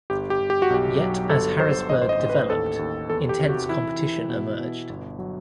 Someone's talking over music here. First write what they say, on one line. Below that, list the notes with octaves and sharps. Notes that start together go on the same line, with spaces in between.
Yet as Harrisburg developed, intense competition emerged.
G1 G4
G4
G1
G4
F#4
B1 G4
F#3
G1 A4
G1 C5
A1 D#5
C5
D#5
A1
B4
D#2 A4
D#2
E2 A4
G4
C3
F#4
E3 E4
E3
B2
B2
G1
F#3